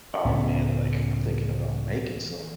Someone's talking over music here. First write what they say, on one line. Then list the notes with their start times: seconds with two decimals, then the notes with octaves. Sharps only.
Oh, man, like, I'm thinking about making some.
0.25 C#2 A2 B3 C#4